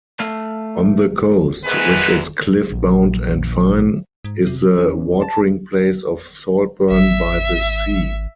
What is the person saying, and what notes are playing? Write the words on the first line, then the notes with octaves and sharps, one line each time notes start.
On the coast, which is cliff-bound and fine, is the watering-place of Saltburn-by-the-Sea.
A3 F5
D2 G#2 C3 D#3 G#4 B4
A#1
G#2
C3
C#4
A5
G#1 E5